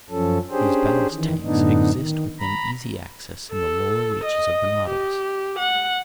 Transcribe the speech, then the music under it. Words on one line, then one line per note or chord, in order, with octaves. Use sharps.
These ballast tanks exist within easy access in the lower reaches of the Nautilus.
F#2 F3 C#4 A4
C#4 D4 G4 G#4 C5
D#3 E3
F#2 A2 D3 B3 D4 D#4
D#3
A#5 B5
A4
D#5
G4
F#5